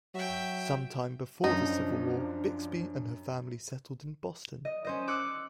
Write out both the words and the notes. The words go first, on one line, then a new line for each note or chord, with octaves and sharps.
Some time before the Civil War, Bixby and her family settled in Boston.
F#3 E5 G5
F#2 F3 D4 D#4
D#5
C#4 C5 D#5
D6 E6 F#6 C#7